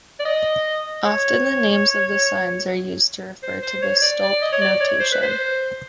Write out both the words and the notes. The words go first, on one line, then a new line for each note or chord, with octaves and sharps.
Often the names of the signs are used to refer to the stolp notation.
D5
D#5
C#5
C5
C5
C#5
D5
D5
D#5
C#5
D5
C#5
C5
B4
C5